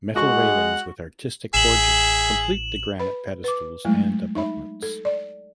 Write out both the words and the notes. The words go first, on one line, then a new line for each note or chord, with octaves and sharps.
Metal railings with artistic forging complete the granite pedestals and abutments.
G#3 F#4 F#5 C#6
A1 G#4 E5 E7 F#7
B4 B5
B4 D6
F#3 G#3 A3 E4
D#4 E5 B5
A4
D5